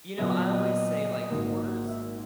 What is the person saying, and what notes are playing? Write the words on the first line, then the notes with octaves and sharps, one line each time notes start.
you know, I always say, like, Hoarders,
A#2 F#3 B3 E5
D#5
G#1 G#2 D#3 A#3
E5